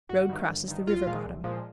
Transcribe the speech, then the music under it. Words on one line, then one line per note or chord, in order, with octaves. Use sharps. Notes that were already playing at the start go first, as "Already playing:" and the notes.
Road crosses the river bottom.
G1 F#4
G2 D#3
G1
G2 D#3
C2 F4
A#2 F3 G#3
C2
A#2 F3 G#3